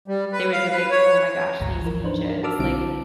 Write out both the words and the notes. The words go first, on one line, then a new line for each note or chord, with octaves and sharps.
they would be like, "Oh my gosh, these beaches, like,
G3
B4
F5
B4
C#5
G#1 D2 G#2 A#5
E3 F3 A#4
D4 D#4 B4 C5
D4 A#4
F#4 A#4 A5 D6 E6 F6
B1 D3 G3 C4 E4 D7